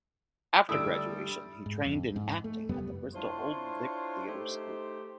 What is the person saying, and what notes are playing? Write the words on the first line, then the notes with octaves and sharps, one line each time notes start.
After graduation he trained in acting at the Bristol Old Vic Theatre School.
D3 G3 A3 E4 D#6 E6 D7
G#2
D1 F2
G#2
A3
F1 F#2 G3 B3
D4 E4 F4 C5 C#5
A3 D#4 G4 C5